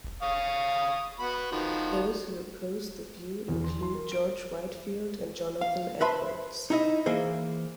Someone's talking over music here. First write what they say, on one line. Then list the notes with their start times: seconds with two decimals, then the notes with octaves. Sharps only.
Those who opposed the view include George Whitefield and Jonathan Edwards.
0.22 F5 C#6 D#6
1.19 B3 F#4 B5
1.52 D#3 F3 F#4
3.48 E2
3.64 C6
3.82 C6
3.95 A#4
4.12 D7
5.61 F5
6.01 B4 C5 E5 A5 B5 C6
6.70 D#4 E4 D#5
7.06 E3 A#3 G#4 C5